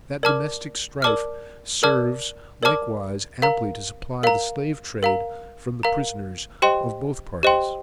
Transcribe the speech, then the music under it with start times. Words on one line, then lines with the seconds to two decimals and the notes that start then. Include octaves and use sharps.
That domestic strife serves likewise amply to supply the slave trade from the prisoners of both parties.
0.23 A#4 D5 A5 D6 F6
1.02 A#4 D5 A5 D6 F6
1.83 A#4 D5 A5 D6 F6
2.63 A#4 D5 A5 D6 F6
3.42 A#4 F5 A#5
4.23 A#4 F5 A#5
5.03 A#4 F5 A#5
5.83 A#4 F5 A#5
6.62 G4 C5 D#5 G5 C6
7.43 G4 C5 D#5 G5 C6